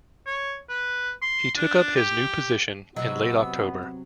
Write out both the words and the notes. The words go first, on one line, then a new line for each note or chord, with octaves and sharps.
He took up his new position in late October.
C#5
B4
C6
D4
G4
C3 F#3 B3 D#5 E6